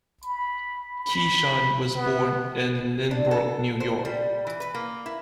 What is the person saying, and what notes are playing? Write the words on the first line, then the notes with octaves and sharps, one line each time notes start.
Keeshan was born in Lynbrook, New York.
B5
B5
B3
D4
A4
C5
G3
E3
B4
A#3
E4